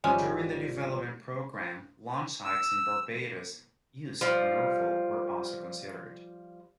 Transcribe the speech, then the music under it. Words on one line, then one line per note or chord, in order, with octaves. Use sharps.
During the development programme, launch sites in Barbados, Uist and Norfolk were also considered.
G#1 F3 G3 G#3 C#4
E6
F3 G3